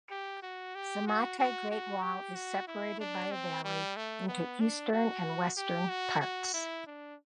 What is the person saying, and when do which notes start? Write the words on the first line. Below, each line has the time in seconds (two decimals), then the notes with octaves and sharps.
Simatai Great Wall is separated by a valley into eastern and western parts.
0.11 G4
0.43 F#4
0.75 G4
1.07 F#4
1.39 F#4
1.71 F#4
2.03 G4
2.35 F#4
2.68 E4
3.00 D4
3.31 C4
3.65 G3
3.97 A3
4.28 B3
4.60 D4
4.93 F#4
5.57 G4
5.89 F#4
6.21 F#4
6.54 E4
6.87 D4